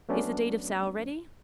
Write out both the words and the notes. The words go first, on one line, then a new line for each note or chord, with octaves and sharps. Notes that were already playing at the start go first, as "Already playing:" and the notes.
"Is the deed of sale ready?"
F#3 A3 B3 C#4 D4